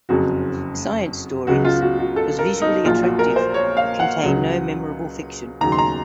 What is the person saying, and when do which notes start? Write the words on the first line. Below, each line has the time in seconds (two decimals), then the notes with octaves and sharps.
"Science Stories" was visually attractive but contained no memorable fiction.
0.09 F#1 F2 C#3 F#3 F#4
1.47 C#2 C#3 F#3 F#4
1.65 F4
1.82 F#4
1.99 F#4
2.16 A4
2.39 A#4
2.62 D#4
2.85 A#1 A#2 F#3 F4
3.03 F#4
3.19 A#4
3.36 C5
3.54 C#5
3.77 F5
4.00 F#5
4.23 C#2 C#3 F#3
5.61 D#2 C#3 F#3 A#5
5.72 C6
5.78 A#5